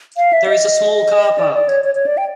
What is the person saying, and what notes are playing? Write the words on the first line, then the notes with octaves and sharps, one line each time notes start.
There is a small car park.
F5
E5
D#5
D5
D5
C#5
C#5
C#5
D5
G5